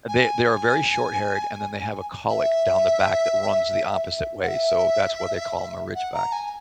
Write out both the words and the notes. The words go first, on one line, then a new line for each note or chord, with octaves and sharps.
they they are very short-haired, and then they have a cowlick down the back that runs the opposite way, so, that's why they call 'em a Ridgeback,
G#5
E5
F#5
E5
F#5
A#5
G#5